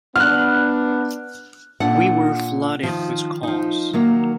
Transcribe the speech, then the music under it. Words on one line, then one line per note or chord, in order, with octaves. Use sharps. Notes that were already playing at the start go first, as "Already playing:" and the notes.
We were flooded with calls.
B3 D4 F6 F#6
A#2 D4 A4 F#5
D#3 F3
F3 D#4
D#3 F#3 A#3